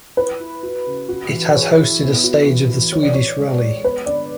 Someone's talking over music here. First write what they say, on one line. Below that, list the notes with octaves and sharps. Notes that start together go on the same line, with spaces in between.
It has hosted a stage of the Swedish rally.
E4 B4
E4
F#4
C#3
F#4
E3
G#4 C#5
E4
B3
F#4
E3
E3
E3 C#5
D5
E3 C#5
G#3
G#3
B3 B4
D3 D5